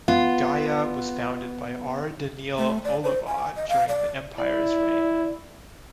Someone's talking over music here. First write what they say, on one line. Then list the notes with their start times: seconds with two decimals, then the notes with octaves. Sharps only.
Gaia was founded by R. Daneel Olivaw during the Empire's reign.
0.08 B3 F4
2.58 A3
2.84 D5
3.04 C5
3.27 G#5
3.56 D#5
3.69 F5
3.89 D5
4.38 E4 D5